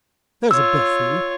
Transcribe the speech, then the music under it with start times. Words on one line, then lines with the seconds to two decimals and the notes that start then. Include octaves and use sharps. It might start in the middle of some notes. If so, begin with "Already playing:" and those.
There's a bet for you!...
0.51 F4 C#5 E6